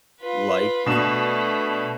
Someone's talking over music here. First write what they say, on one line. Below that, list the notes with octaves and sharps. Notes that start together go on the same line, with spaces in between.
like f
F4 B4
B2 A3 D4 B4 E7